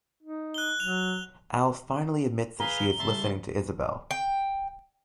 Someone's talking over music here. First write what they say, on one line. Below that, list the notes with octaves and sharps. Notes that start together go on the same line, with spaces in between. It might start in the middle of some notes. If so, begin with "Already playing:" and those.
Al finally admits that she is listening to Isabelle.
D#4
F#6 G7
F#3 F7
G#4 B4 F5 A#5 G7
C#3 G3 E5 A5 C6
G5